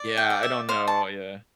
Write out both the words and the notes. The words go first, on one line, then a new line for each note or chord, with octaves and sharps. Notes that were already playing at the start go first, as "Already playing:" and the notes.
Yeah, I don't know. Yeah.
Already playing: D5
G5
D5
E5
C5 F5
A5